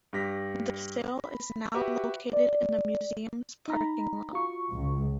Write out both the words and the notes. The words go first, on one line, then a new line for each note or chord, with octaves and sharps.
The sail is now located in the museums parking lot.
G2 G4 A#6 B6
B5
F#4 G4 B4 E5 F#5
D5
D#4 A#5 B5
F4 F#4 C#6
C#2